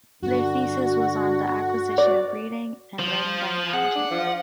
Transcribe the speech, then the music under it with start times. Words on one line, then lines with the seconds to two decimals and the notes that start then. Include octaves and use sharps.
Their thesis was on the acquisition of reading and writing by analogy.
0.22 G2 D3 F#4
1.98 D5
2.99 F3 C5
3.74 G#4 F#5
3.95 D4
4.11 F3